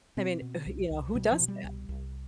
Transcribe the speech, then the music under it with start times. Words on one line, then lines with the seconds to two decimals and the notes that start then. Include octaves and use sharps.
I mean, e wh you know, who does that?
0.17 B2 C4
0.42 B2
0.66 C2
0.91 C2
1.15 B2 G3
1.32 F3
1.40 B2
1.48 G3
1.64 C2
1.89 C2